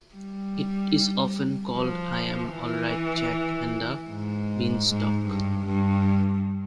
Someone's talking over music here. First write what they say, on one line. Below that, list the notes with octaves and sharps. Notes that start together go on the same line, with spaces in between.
It is often called I'm Alright Jack and The Beanstalk.
G3
F3
E3
G#2
G#2
G2
G2